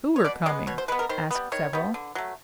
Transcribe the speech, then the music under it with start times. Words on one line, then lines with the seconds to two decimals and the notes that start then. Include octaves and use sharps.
"Who are coming?" asked several.
0.16 C#5
0.25 B2 D5
0.46 G#3 B3 D5
0.67 B2 C#5
0.78 C5
0.88 G#3 B4
0.92 B3
0.99 A#4
1.09 D#3 C5
1.31 G3 B3
1.52 D#3 C#5
1.73 G3 B3
1.94 D3
2.15 F#3 A3